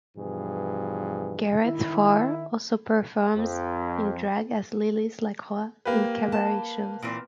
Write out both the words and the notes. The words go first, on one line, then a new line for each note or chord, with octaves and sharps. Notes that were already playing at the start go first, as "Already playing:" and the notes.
Gareth Farr also performs in drag as Lilith LaCroix in cabaret shows.
G2 B2 E3 F3 G#4
D#3 E4
F2
A#3 G4 B4
A5
A#2 E3 C4